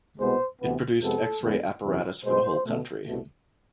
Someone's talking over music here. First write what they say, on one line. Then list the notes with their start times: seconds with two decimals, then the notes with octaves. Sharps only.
It produced x-ray apparatus for the whole country.
0.20 C2 B2 G#3 B3 C5
0.61 D2 C3 E3 B3
1.02 F2 C3 G#3 B3 A4
1.42 F2 D3 G#3 B3
1.83 E2 C3 E3
2.24 B2 G#3 B3 C5
2.65 B2 A3
3.06 C2 B2 A3